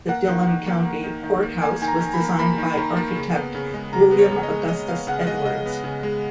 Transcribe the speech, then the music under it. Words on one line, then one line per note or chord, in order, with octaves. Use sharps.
The Dillon County Courthouse was designed by architect William Augustus Edwards.
A#3 F#5
D#3
D#3
A#3
A#3
D#3
D#3
A#3
A#3 G#5
D#3 G#5
A#5
D#3
B5
A#3
A#3 B5
D#3
D#3
A#3
C#3
B3
C#3
G#3
C#3 A#5
B3
C#5
C#3
D#5
G#3
C#3 D#5
B3 F5
C#3 F#5
G#3 D#5
C#3 D#5
B3
C#3
G#3